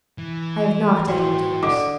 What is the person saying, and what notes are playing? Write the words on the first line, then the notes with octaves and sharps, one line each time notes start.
"I have knocked at all doors."
E3
E4 F#4 C#5 G5 C6
D3 D#5 D6